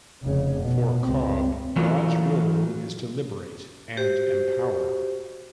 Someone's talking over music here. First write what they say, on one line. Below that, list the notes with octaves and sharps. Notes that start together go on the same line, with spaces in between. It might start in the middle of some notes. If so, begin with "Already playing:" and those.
For Cobb, God's role is to liberate and empower.
F1 C#3
B2
C#2 C4
E3 F#3 A3 F4 A#4
F#4 G4 C5